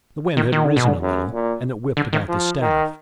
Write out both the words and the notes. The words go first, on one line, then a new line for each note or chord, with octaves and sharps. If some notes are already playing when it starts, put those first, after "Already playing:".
The wind had risen a little, and it whipped about the staff.
D#3
D#3
D3
B2
D3
F#2
A#2
D3
D#3
F3
D#3